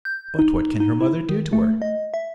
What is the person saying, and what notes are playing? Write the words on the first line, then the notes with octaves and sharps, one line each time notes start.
"But what can her mother do to her?"
G6
D#4
D#4
E4
D#3
A3
D#5
E5